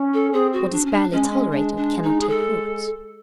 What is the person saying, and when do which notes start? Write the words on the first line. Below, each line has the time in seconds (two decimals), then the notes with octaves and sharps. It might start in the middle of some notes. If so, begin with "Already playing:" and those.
What is barely tolerated cannot take root.
Already playing: C#4
0.14 A4
0.32 C4 G#4
0.53 F#4
0.72 D4
0.86 C#4
0.92 D4
1.12 G#3 C#4
1.31 C#4
1.51 G#3 D4
1.77 D4
2.03 D#4
2.20 G#4
2.29 A4